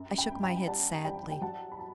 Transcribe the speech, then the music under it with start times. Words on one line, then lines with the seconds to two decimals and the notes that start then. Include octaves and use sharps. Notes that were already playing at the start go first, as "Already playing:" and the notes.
I shook my head sadly.
Already playing: F#2
0.18 G5 B5
0.31 F#2
0.43 G5 B5
0.57 G5
0.67 G3 F#5 A5
1.05 G3 G5 B5
1.32 G5
1.41 F#3 F#5 A5
1.72 B5
1.79 A5